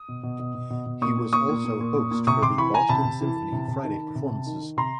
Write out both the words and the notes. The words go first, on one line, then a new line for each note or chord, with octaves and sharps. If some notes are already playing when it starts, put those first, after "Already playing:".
He was also host for the Boston Symphony Friday performances.
Already playing: D#6
B2
B2
B2
B2
B2
B2
A#2 C#6 D#6
A#2
A#2 C#6 D#6
A#2
A#2
A#2
A#2
A#2
C3 C#6 D#6
C3 C6 D6
E3 B5 C#6
E3 G#5 A#5
C3 A5 B5
C3
E3
E3
C3
C3
D#3
D#3
C3
C3
D#3
D#3
C3 A#5 C6